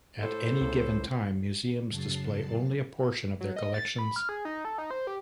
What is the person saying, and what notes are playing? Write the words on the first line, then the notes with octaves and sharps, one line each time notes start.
At any given time, museums display only a portion of their collections.
A2 A4 C5
C#2
F#2 C#3 F#3 A5 A6 C7
F#3
D#5
A6
B5
F6
G#4
D#4
A4
D#4
C5
G4